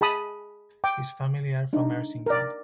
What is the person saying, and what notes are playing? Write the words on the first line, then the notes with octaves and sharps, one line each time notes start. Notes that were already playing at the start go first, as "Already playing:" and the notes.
His family are from Erzincan.
G#4 A5 B5 D#6
G5 D6
D4 D#4
A#4 D5